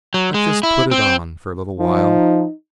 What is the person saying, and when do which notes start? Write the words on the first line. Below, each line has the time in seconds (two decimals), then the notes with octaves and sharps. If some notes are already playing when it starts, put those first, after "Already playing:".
I've just put it on for a little while.
0.14 F#3
0.34 G#3
0.63 E4
0.91 C4
1.79 F3 D#4